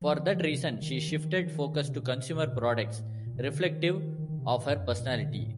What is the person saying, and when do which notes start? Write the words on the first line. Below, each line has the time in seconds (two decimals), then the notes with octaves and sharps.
For that reason, she shifted focus to consumer products reflective of her personality.
0.01 F3
0.10 D#3
0.21 D3
0.31 F3
0.41 D#3
0.51 C3
0.81 D#3
1.08 F3
1.13 D#3
1.37 F3
1.43 D#3
1.74 D3
1.84 C3
1.95 A#2
2.06 C3
2.35 C3
2.45 A#2
2.55 A2
3.26 A#2
3.36 C3
3.47 D3
3.57 D#3
4.18 D#3
4.28 D#3
4.39 C3
4.49 A#2
4.59 A2
4.69 G2
4.80 F2
4.89 G2
4.99 A#2
5.10 D3
5.21 D3
5.30 A#2
5.40 A2